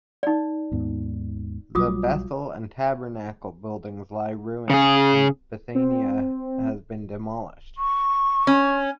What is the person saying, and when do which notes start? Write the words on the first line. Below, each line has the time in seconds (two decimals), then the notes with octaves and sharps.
The Bethel and Tabernacl buildings lie ruined and Bethania has been demolished.
0.23 D#4 D5
0.72 D#2 G#2 B3
1.75 B1 F#3 G3 F4 D6 D#6
4.70 C#3 G#4
5.75 C4
7.78 C#6
8.47 C#4